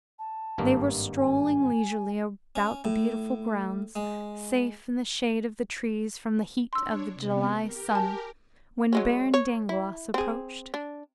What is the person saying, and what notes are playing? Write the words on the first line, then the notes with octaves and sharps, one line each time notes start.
They were strolling leisurely about the beautiful grounds, safe in the shade of the trees from the heat of the July sun, when Baron Dangloss approached.
A5
G#1 G2 A#3
G#5
C#4
A2
G#3
D4 C#5 C6 E6
C3 B3
G4 A#4
G#5 A5
F#3 G#3 C#4
C#5
E4
C4 G#4
D4